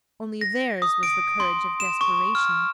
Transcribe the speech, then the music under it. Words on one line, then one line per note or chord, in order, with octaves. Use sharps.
Only theirs was the courage of desperation.
A#6
D#6
D7
C6
E7
C#6
F6